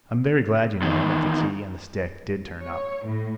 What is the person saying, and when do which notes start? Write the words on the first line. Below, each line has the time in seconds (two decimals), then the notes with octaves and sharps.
I'm very glad, you know, that the key and the stick did turn up.
0.82 E2 D#3
2.62 C#5
3.06 A2